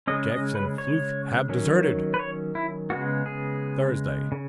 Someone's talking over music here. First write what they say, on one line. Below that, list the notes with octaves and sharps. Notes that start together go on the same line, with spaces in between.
"Jex and Fluke have deserted!" THURSDAY.
C#3 G#3 C#4 D#5
D#5
B4
C#5
D#3 F#3 C#4
B4
C#5
E4
C#3 G#3 B3 F#4
G#4
C#3